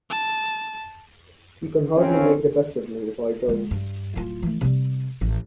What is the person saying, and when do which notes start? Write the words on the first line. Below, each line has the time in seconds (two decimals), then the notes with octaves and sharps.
You can hardly make the best of me if I don't.
0.10 A5
1.95 F2 C#3 C4 C#4
3.48 D3 G#3
3.71 G2
4.16 D1 F4
4.42 E3 A3
4.61 C3 G3
5.21 A1